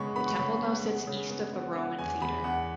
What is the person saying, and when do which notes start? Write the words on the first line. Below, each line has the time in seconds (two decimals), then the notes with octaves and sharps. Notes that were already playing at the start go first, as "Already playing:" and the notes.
The temple now sits east of the Roman theater.
Already playing: C#3 G#3 B3 B5 C#6
0.16 B3 B5
0.27 C#6
0.36 C#3 B5
0.62 B3
0.84 B3
1.07 C#3
1.30 B3
1.53 B3
1.76 B3
1.99 E2 G#5
2.21 E2 B5
2.44 E2 F#5